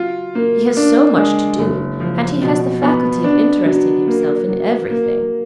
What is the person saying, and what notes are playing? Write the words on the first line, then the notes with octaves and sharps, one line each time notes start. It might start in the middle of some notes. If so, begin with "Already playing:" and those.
He has so much to do, and he has the faculty of interesting himself in everything.
Already playing: F#3 F4
A#3
D4
G#3
F#1
F3
B2
B3
D4
F#3
A#3
F#3
A#3